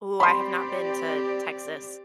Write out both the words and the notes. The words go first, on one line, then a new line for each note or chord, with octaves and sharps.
Ooh, I have not been to Texas.
C4 G4 D5 B5 C6